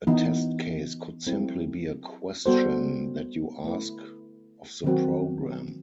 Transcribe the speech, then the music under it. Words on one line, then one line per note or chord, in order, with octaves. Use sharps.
A test case could simply be a question that you ask of the program.
E3 B3 D#4
F#3 C4 E4 A4
G3 B3 F#4 A4 C5
A3 E4 B4
D#3 F#3 C4 F#4